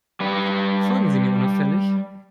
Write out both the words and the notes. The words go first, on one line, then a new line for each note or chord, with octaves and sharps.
Folgen Sie mir unauffällig.
G3 B4